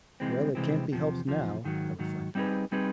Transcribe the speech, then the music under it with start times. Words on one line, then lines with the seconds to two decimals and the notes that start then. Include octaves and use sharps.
"Well, it can't be helped now," I reflected.
0.20 C2 C3 E3 G#3 C4
0.55 C2 C3 E3 G#3 C4
0.92 E2 C3 F3
1.28 E2 C3 F3
1.64 G#2 D#3 F#3
1.99 G#2 D#3 F#3
2.35 G3 C4 D#4 G#4 B4
2.72 G3 C4 D#4 G#4 B4